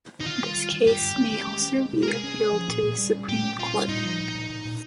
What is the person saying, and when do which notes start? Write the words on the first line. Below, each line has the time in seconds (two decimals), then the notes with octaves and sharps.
This case may also be appealed to the Supreme Court.
0.20 D#4
0.26 D#3 F4
0.41 G3
0.56 G3
0.72 D#3
0.87 G2 G4
1.02 G2
1.16 C#4
1.32 D#3
1.47 G#3
1.62 C#4
1.77 G#3
1.93 C3
2.03 A#4
2.07 G#3 G#4
2.23 C#4
2.39 C#4
2.53 F3
2.68 A#2
2.83 A#2
2.98 G3
3.13 C#4
3.29 A#2 G4
3.44 C#4
3.60 A#2 F4
3.74 G3
3.89 A#2 D#4
4.05 F3
4.20 A#2
4.35 A#2
4.50 A#2
4.65 A#2